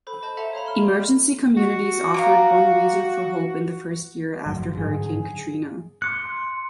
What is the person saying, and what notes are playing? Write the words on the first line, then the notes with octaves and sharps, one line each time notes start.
Emergency Communities offered one reason for hope in the first year after Hurricane Katrina.
A4 C5 B5
C5 D#5 A5 B5 G6
A4 E5 F#5 A5 A#5 C6
C#5 F5 A#5 B5
C6 F6
F#4
F5 A#5 D6
G1 F3 F#3 G#3
G#2 D3 F#3 C#4 G#4
C6 D6 F#6 C#7